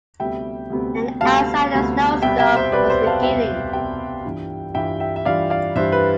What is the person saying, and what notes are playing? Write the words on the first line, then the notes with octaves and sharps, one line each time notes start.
And outside a snowstorm was beginning.
D2 C3 G3 B3 E5 G5
D2 C3 G3 B3
D2 C3 G3 B3 F5 A5
D2 C3 G3 B3
C2 B2 G3 B3 E5 G5
E5 G5
C5 E5
C2 B2 G3 B3 B4 D5
C5 E5
F5 A5
C2 B2 G3 B3 E5 G5
C2 B2 G3 B3 E5 G5
G2 E3 G3 D4 F4
G2 E3 G3 D4 F4 E5 G5
E5 G5
E5
G2 E3 G3 D4 F4 D5 F5
D5 F5
G2 E3 G3 D4 F4 C5 E5
B4